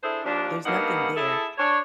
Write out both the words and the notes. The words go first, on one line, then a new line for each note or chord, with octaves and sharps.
there's nothing there.
D4 E4 G#4 A4 C5
D#2 F3 D4
G2 A#3 B3 D#4 F#5
E4 G#4 A4
D4 C#5